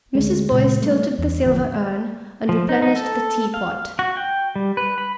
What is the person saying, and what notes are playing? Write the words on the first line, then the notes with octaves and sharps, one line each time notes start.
Mrs. Boyce tilted the silver urn and replenished the tea-pot.
D2 G#3
A#2 C#3 G#3 C4
G3 A3
E2
A1 D3 F3
F3
D#4
D#4
A4
F5
F#4
G5
G3
B4
B5